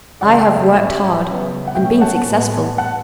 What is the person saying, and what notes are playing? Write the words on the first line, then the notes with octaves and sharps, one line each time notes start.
I have worked hard and been successful.
C#3 E3 G3 D5 F#5
E5 G5
E5 G5
A2 F#3 C#4
C#3 F#3 B3
F#5
B2 A3 C#4 E5 G5
F#5 A5
A2 G3 B3
F#5 A5